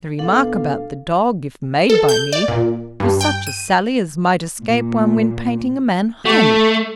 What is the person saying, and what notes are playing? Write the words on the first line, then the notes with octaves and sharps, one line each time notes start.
The remark about the dog, if made by me, was such a sally as might escape one when painting a man highly.'
B2 D4 A4 F5
A4
G6
D5
A#2
G2
G5
D#7
A#2
A3